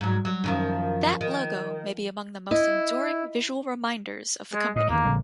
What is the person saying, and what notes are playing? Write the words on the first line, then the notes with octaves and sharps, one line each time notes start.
That logo may be among the most enduring visual reminders of the company.
G#2 F#3
F#3
F#2 D#3 F3
D#3
E4 D#5
G#3
A2 D#5
E2 D#3 A#3
A#1 D3 G#3